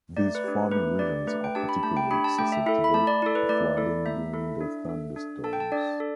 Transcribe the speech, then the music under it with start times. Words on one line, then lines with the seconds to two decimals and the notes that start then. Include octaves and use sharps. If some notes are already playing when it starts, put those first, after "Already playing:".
These farming regions are particularly susceptible to flooding during the thunderstorms.
0.17 A3 D5
0.35 B4
0.44 D4 G4
0.71 A3 B4
0.99 D4 G4 D5
1.27 A3 B4
1.44 G5
1.55 D4 G4 A5
1.69 B5
1.83 A3 A5
1.97 G5
2.11 D4 G4 B5
2.24 A5
2.38 A3 G5
2.52 E5
2.66 E4 A4 E5
2.84 B5
2.94 A3 A5
3.07 D5
3.22 E4 A4 D5
3.35 B4
3.49 A3 D5
3.77 E4 A4
4.05 A3 E5
4.33 E4 A4
4.61 D4
4.89 A4
5.16 D4
5.44 A4 A5
5.53 G5
5.60 A5
5.72 D4 D5
6.00 A4